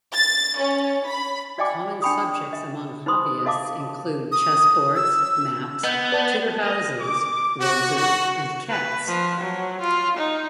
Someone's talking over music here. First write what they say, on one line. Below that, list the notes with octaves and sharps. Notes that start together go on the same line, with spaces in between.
Common subjects among hobbyists include chessboards, maps, Tudor houses, roses and cats.
A6
C#4
B5
F#4 D5 D#5 G5 G#5 D6
D4 G5 G#5 B5 C#6 D#6
D#5
D#4 B4 C5 B5 C6 D#6
F#4 A4 D#5 F5 A5 D6
D#6
E6
B3 D#5 G6
B4 D5 A5
D#5
D6
F#4
F#4
B4
F3
F#3
F4
D#4